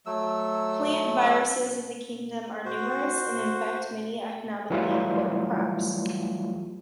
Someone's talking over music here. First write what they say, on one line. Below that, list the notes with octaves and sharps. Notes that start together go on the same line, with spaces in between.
Plant viruses in the kingdom are numerous and infect many economically important crops.
F#3 A3 E6
F#4 C5
E3 F#3 G3 A3 E4 F4